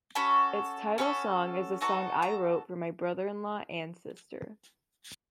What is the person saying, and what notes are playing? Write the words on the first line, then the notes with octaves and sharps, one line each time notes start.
Its title song is a song I wrote for my brother-in-law and sister.
C#4 F#4 A4 B5
C#4 F#4 A4 B5
B3 D#4 F#4 A4 A#5
A#5